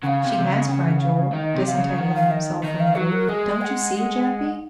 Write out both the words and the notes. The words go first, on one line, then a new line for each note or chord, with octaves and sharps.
"She has," cried Joel, disentangling himself from the group, "don't you see, Jappy?"
C#3 F5 F#5
C3
C3
C#3
C#3 F#5 G#5
F5
D#3 D#5
C3
F5
C#3
D#3 F#5
F5
D#5
D#3 D#5
F5
F#3 F#4
A#4
G#3 G#4
G#5
F#5
F#5